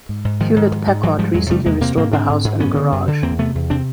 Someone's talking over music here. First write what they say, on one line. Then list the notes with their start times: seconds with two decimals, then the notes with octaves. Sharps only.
Hewlett Packard recently restored the house and garage.
0.09 G#2
0.25 G#2
0.40 G#2 D#3 F3
0.56 G#2
0.72 G#2
0.87 G#2
1.03 G#2 E3 F#3
1.19 G#2 F3 G3
1.34 E2 F#3 G#3
1.50 C3 G3 A3
1.66 E2 G#3 A#3
1.81 C3 A#3 C4
1.97 G#2 A#3 C4
2.13 G#2 C4 D4
2.29 G#2
2.44 G#2
2.60 F#2 B3 C#4
2.76 D3
2.92 F#2
3.08 D3
3.22 E2 A#3 C4
3.39 C3 A3 B3
3.55 E2
3.70 C3 C4 D4